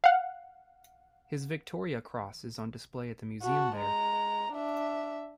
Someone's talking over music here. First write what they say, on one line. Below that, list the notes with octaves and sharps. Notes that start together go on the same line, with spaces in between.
His Victoria Cross is on display at the museum there.
F5 F#5
F#4 A5
G#3 A#5
D4 E5